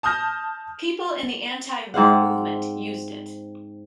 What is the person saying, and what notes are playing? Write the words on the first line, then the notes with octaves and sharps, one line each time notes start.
People in the anti-war movement used it.
A5 D#6 F6 G6 A#6
G#2 C4 F5 F#5